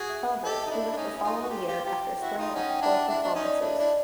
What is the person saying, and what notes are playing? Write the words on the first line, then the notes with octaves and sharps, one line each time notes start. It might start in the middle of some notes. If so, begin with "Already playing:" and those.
However, he left the following year after a string of poor performances.
Already playing: F#4 G#4
E5
E5
G4 A4 D#5
E5
D#4
D4 E4
F5
D4
C#4 D#4
E4
D#4 F4
F#4
F4 G4 F5
F4 G4
F4 G4 G5
G5
E4 F#4
D#4 F4
C#4 D#4 F#5
G5
D4 E4 F#5
D4 E4 E5
D4 D#5
C#4 D#4
D5
D4 E4 C#5
D4 E4 D5